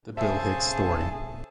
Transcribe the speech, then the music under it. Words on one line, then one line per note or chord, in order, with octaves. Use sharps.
The Bill Hicks Story.
C#3 G#4 A4 C5 E5 A5